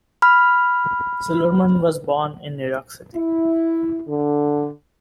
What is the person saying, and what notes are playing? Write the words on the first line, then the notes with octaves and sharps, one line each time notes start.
Silverman was born in New York City.
B5 F6
E4
D3